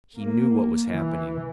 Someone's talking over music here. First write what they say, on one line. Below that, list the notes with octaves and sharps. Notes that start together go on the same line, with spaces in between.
He knew what was happening....
A#3
E3